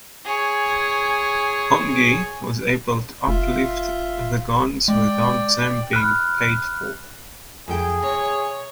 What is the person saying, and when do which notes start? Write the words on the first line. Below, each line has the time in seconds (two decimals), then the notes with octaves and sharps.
Hongi was able to uplift the guns without them being paid for.
0.25 G#4 C#5
3.27 F1 F4 E5
4.88 G#3 D5 G5
5.93 B5 F6 F#6
7.68 F2 G#4 A4 G5
8.02 C3 C#5